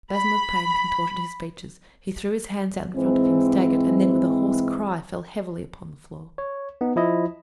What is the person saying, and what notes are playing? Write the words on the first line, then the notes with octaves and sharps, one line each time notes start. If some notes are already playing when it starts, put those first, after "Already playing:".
A spasm of pain contorted his features; he threw his hands out in front of him, staggered, and then, with a hoarse cry, fell heavily upon the floor.
B5
G#2 E3 G#3 C4
C#5
B3 D#4
F3 E4 D#5